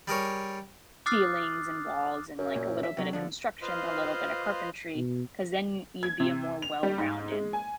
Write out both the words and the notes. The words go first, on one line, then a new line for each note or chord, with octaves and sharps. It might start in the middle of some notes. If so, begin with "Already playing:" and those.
ceilings and walls and, like, a little bit of construction, a little bit of carpentry, 'cause then y you'd be a more well-rounded,
G3 G#4 A#4 C#5
D6 D#6 F6 F#6 A6 C7
F#2
A#2
E5
C3 F#3
D3 F3 D4
F4 B4 C5 D#5 F5
B2
G#6
C3
F7
G3
G#2
G#3
G#5